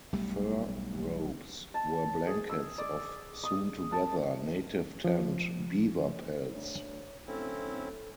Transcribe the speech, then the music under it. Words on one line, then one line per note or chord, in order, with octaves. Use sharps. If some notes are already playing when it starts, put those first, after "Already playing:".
Fur robes were blankets of sewn-together, native-tanned, beaver pelts.
B1 G3 A3
A5
G#4
E6
D5
D#6
A5
F3
D2 C#5
D1 C4 C#4 E4 A4